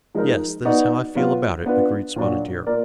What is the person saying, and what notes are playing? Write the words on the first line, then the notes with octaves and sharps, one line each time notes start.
"Yes, that is how I feel about it," agreed Spotted Deer.
F3 G#3 D#4 A#4
B3 D#4 F#4 D5
F#3 B3 F4
B3 D4 F4 B4
A#2 F#3 D4 F#4
A#3 F4 A#4 D5